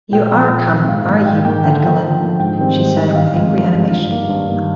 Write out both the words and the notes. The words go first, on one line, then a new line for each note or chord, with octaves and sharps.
'You are come, are you, Edgar Linton?’ she said, with angry animation.
A#2 G5
F3 C4
A#2
F3 C4
G#2 F5
D#3 A#3
G#2 G5
D#3 A#3 G5
D3 G5
F3 A#3
D3
F3 A#3
G#2 G5
D#3 G3 C4
G#2
D#3 G3 C4
D#5
G2 F5
F3 G#3 C4
G2
F3 G#3 C4
G2 F5
D#3 A#3
G2
D#3 A#3